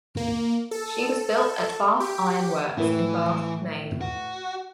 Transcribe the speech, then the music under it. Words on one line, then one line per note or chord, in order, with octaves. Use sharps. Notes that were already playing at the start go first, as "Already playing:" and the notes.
She was built at Bath Iron Works in Bath, Maine.
A#3
A4
G4
A2 E3 B4
F#4